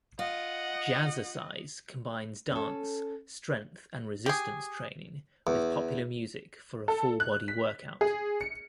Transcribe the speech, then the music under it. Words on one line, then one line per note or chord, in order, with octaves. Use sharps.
Jazzercise combines dance, strength, and resistance training with popular music for a full-body workout.
F4 D#5 F#5
C#4 A4
G4 G#4
E2
A4
F#6
B6
G#4
C#7